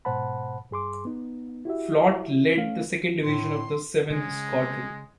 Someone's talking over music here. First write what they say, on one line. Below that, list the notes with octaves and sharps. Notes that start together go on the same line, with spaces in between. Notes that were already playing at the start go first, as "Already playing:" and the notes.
Flotte lead the second Division of the Seventh Squadron.
G#2 B2 C5 F#5 A5 B5
G2 G#4 C6 D6
B3 D#4
E4 F#4 G4 E5
A3 C#4 F5
A2 C6
C#3 G#3